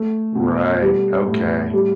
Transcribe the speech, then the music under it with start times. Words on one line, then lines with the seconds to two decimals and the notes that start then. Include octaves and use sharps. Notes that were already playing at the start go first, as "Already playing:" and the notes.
Right, okay.
Already playing: A3
0.35 B2
0.82 G3
1.28 A2
1.74 G3